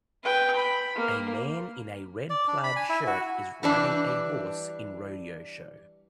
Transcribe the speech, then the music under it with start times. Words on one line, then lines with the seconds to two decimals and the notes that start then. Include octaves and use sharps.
A man in a red plaid shirt is riding a horse in rodeo show.
0.23 B4 G5
0.56 B5
0.95 A#3
2.30 D5
2.48 D4
2.64 B5
2.76 G#5
2.89 E4
3.07 F#4
3.63 E3 G3 D4